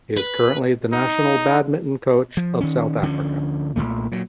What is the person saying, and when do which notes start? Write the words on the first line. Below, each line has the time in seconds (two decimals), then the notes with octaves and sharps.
He is currently the National Badminton Coach of South Africa.
0.17 B4
0.93 D#4
2.37 F3
2.61 D#3 C#4
3.02 D2 D3 F3 C#4
3.76 B1 E2 A#2 A3
4.12 A#2 F#3